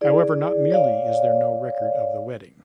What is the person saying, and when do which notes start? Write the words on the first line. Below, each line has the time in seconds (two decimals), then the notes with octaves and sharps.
However, not merely is there no record of the wedding.
0.01 E4 G#4 D5
0.70 C#5 D5 F5